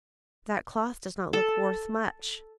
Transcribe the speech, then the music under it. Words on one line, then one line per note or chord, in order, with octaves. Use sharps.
'That cloth does not look worth much!'
A4